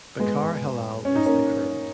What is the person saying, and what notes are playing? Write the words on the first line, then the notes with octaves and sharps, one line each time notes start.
Bechara Helal is the current.
G#3 B3
C#4
D#4
A#3 C#4